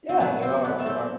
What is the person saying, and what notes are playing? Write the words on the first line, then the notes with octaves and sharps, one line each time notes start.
Yeah, there are, there are.
C4
F#3 B3
C4
F#3
B3
A3
C4